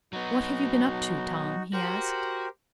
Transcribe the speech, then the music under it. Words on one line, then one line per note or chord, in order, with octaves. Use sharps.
"What have you been up to, Tom?" he asked.
F#3 B3 D#4 F#4
F#4 G4 A#4 C5